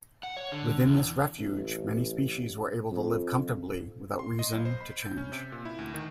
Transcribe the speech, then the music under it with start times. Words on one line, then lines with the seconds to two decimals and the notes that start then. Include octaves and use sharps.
Within this refuge many species were able to live comfortably without reason to change.
0.23 F#5
0.37 C#5
0.52 D3
0.87 E2
1.39 A1
2.91 F2
4.19 C6
4.39 D#5
4.52 B1
4.65 C5
4.81 B5
5.03 G6
5.18 C#4
5.32 C3
5.52 A#2
5.65 E4
5.79 D2
5.94 D#3